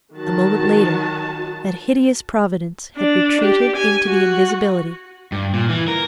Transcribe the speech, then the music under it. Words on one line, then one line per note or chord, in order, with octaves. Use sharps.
A moment later, that hideous providence had retreated into the invisibility.
D#3 F#3 F#4 A5
D4
G4
G#5
F#4
G2
A#2
E3
A#4